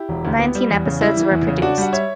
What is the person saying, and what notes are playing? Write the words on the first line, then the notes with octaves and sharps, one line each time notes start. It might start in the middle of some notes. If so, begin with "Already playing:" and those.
Nineteen episodes were produced.
Already playing: E4 G4
E1
D2
B3
G3
E2
C#3
G3 E4
E3
E2
C#3
D4 F#4
G3 F#5
C#5 E5